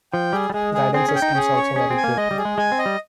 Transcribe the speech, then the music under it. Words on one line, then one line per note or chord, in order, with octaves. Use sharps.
Guidance systems also vary greatly.
F3 G5
G3 G#4
G3
G#3 G#4
G#4
C4 G#4
C#4
G5
D#4
C#4 G#4
C#5
C#4 G#4
C4
G#5
A#3
G#3 D#5
G3
G#4
G#3
G#3 G#5
C4
D#5
G3